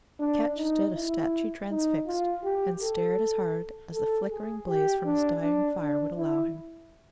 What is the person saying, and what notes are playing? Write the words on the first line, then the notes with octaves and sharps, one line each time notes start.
Ketch stood a statue transfixed, and stared as hard as the flickering blaze from his dying fire would allow him.
D4
D#4
E4
D#4
F4
G4
A4
A4
G#4
G4
D4
D4
D4
E4